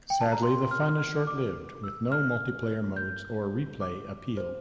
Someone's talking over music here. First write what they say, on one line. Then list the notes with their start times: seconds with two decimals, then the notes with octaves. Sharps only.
Sadly, the fun is short-lived, with no multi-player modes or replay appeal.
0.10 G5
0.21 A5
0.32 A#5
0.42 C6
0.71 F6
0.99 F6
1.27 D6
1.84 E6
2.12 F6
2.96 G6
3.81 D6
4.37 C5